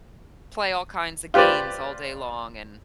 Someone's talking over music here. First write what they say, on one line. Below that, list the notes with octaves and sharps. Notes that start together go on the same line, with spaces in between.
play all kinds of games all day long and
F4 G4 B4 C5 D5